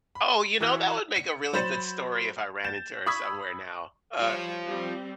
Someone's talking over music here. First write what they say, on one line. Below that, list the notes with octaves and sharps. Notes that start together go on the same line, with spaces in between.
oh, you know, that would make a really good story if I ran into her somewhere now, uh
B5
E3 F#4 E5 E6 F#6
C#7
F#3 C5 B5 G6 A6 E7
G6 A6 E7
B5 C#6 D#6 E6 G#6 B6
G3 F4 C5 C#5
G3 C4